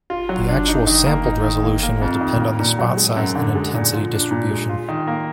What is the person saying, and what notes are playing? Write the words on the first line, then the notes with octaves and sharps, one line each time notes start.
The actual sampled resolution will depend on the spot size and intensity distribution.
F4
F#3
D4
D#4
D#3
A#3
D#4
D#3
A#3
A#3
F2
D#3
A#3
A#2
F#3
G#3
F#2
D3
G#3
A#2
F3
D4
A#2
G#3
F4
D#3
A#3